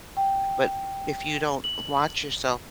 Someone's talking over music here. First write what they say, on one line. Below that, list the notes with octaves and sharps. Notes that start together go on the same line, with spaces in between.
But if you don't watch yourself,
G5
F#7